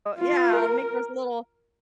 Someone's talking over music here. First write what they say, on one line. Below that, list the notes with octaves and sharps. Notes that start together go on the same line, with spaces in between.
Yeah, and make those little
F4
A#4